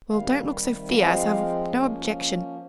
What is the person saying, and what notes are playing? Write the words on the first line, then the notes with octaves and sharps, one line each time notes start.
'Well, don't look so fierce; I've no objection.
C3 D#3 G3 F5
F3 G#3 C4 F5
F3 A#3 C#4